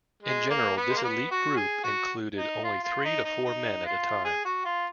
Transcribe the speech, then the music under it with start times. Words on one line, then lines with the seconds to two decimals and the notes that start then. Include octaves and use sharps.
In general, this elite group included only three to four men at a time.
0.23 G#3
0.50 A#3
0.77 B3
0.90 G#3
0.96 A#3
1.04 B3
1.31 F#4
1.56 G#4
1.84 F#4
2.37 D#4
2.64 F4
2.84 F4
3.05 D#4
3.24 D#4
3.45 D#4
3.85 F4
4.24 G#4
4.45 F#4
4.65 F4